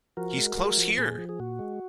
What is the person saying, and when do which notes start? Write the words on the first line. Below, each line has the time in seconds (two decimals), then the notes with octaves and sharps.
He's close here!
0.17 F3 F#4 A#4
0.37 G#3
0.57 G#3
0.77 F3
0.98 A#2 G#4
1.18 F3
1.29 G#4
1.40 A#2 F#4
1.59 G#3